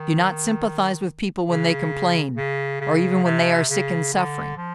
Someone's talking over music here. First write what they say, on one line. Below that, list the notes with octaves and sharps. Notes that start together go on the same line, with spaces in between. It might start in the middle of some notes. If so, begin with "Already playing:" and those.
Do not sympathize with people when they complain, or even when they are sick and suffering.
Already playing: D#3
C#3
C#3
C#3
C3
C#3
D3
F3